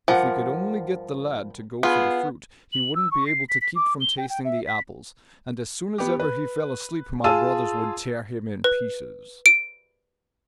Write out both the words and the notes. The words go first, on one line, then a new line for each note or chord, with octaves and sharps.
If we could only get the lad to go for the fruit, he wouldn't be able to keep from tasting the apples, and as soon as ever he fell asleep my brothers would tear him in pieces.'
G2 F3 A#4 F#5
B3 F4 G#4
F#7
E6
C#6
C7
B6
B6
D6
G7
G5
G5
E5
B6
B3 G4
B4
F4 G#4 A5 E6 D#7
B4
D7